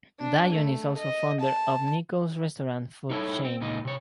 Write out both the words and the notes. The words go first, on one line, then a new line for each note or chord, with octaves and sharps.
Dion is also founder of Nickels Restaurant food chain.
D4
A3
D#5
A5
D#4 E4 A4 B4 C#5
C4
C#2 A#2 D#4
C3 C#5